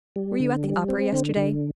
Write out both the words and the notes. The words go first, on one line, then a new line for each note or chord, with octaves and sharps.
"Were you at the opera yesterday?"
G3
D3
G3
C4
D3
D3